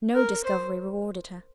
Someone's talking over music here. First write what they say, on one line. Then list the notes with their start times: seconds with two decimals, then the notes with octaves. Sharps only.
No discovery rewarded her.
0.15 A#4
0.44 C5